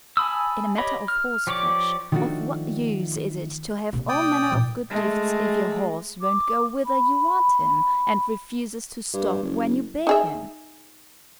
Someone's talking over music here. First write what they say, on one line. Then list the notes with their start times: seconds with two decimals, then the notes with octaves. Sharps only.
In a matter of horseflesh of what use is it to have all manner of good gifts if your horse won't go whither you want him, and refuses to stop when you bid him?
0.17 G#5 A5 B5 D#6 E6
0.78 G4 C#5 D#5 B5
1.08 F6
1.47 F3 G4 C#5 D5 D6
2.12 D#3 F3 A3 B3 D4 F#4
3.93 C3 A#3
4.09 D5 G5 D#6
4.51 A#2 E3
4.90 G#3 A3
6.21 D6
6.86 B5
9.14 G2
9.43 F#1
10.07 D#4 G#4 E5